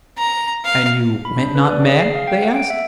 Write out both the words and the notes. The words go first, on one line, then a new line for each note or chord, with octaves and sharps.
"And you went not mad?" they asked.
A#5
F5
B5
D4
B4
D5
G#4
C7
F5
G5
F#5
D7
E5